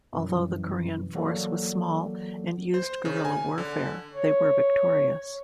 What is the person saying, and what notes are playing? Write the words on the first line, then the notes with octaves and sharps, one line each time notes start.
Although the Korean force was small and used guerrilla warfare, they were victorious.
F#2 B2 E3 F#3 G3
E3 F#3 A#3 F#4 A4 D5
C5
C#3
G#5
D3
C#5